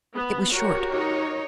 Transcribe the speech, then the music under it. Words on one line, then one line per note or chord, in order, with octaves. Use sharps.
It was short.
B3
F#4 G4 A#4 C#5
D#4 C#5